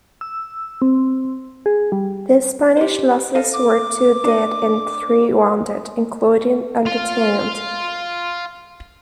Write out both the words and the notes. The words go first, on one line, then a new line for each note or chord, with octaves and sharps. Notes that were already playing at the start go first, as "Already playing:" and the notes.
The Spanish losses were two dead and three wounded, including a lieutenant.
E6
C4
G#4
G3
G4 C5
A4 D#5 F5
D6
D4 D#5
F5 C6